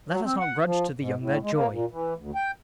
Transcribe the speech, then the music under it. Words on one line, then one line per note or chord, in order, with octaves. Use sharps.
Let us not grudge to the young their joy.
F#3
C4
F#5
F3
G#2
A2
G#3
A#3
A#2
E3
D2
G5